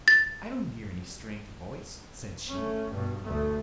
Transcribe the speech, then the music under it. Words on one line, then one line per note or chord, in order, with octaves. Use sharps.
"I don't hear any strange voice," said she.
A6
A3 C#4
G2 B2
D2 A3